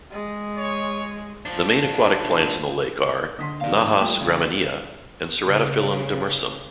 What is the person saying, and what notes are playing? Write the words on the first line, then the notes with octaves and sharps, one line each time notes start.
The main aquatic plants in the lake are "Najas graminea" and "Ceratophyllum demersum".
G#3
C#5
F3 D4
D3 D#5 C6 B6
C3 D#3 G4 D5 F5
F2
G3 A3 F4 G4
C#3
C#3